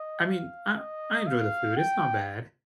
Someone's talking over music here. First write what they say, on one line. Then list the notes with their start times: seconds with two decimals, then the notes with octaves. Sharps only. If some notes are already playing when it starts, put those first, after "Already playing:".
I mean, I I enjoy the food, it's not bad,
Already playing: D#5
0.28 F5
0.78 D#5
1.27 F5
1.77 G5